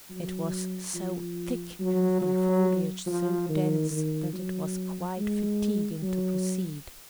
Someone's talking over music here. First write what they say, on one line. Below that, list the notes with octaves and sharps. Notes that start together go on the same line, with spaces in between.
It was so thick, and the foliage so dense, that it was quite fatiguing to proceed.
F#3
F3
F#3
F#3
F3
D#3
D#3
F#3
G#3
F#3